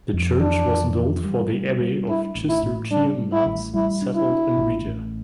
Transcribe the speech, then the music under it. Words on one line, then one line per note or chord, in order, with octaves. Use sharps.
The church was built for the abbey of Cistercian nuns settled in Riga.
F2
E3 D4
F2
E3
G3
G3
G3
D4 E4
A1
E4
A2
G3 D4
G3
E4
A1
G3 E4
D4
E4
D4
A1
A1